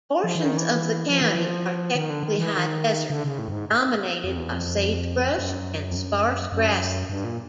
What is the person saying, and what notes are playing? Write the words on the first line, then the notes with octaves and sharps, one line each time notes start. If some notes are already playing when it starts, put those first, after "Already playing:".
Portions of the county are technically high desert, dominated by sagebrush and sparse grasses.
F3
E3
D#3
E3
F3
E3
F3
D#3
D3
D#3
E3
D#3
D3
C#3
A2
G2
G#2
F2
E2
F2
F#2
F2
F#2
F#2
G2
A#2